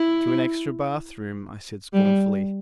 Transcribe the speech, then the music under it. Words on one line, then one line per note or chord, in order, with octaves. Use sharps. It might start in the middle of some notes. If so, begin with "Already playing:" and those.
"To an extra bath-room," I said scornfully.
Already playing: E4
G3